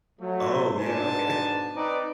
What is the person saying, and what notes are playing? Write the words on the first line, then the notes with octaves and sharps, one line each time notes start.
Oh yeah, okay.
F#3 A3
G#2 B2 D4 C5 G#5 A5
C4 D#4 B4 D5